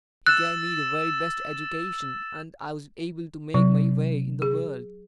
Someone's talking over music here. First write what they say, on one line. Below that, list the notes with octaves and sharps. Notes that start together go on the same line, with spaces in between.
He gave me the very best education, and I was able to make my way in the world.
E6 F#6 A6 E7
C3 F#3
G#4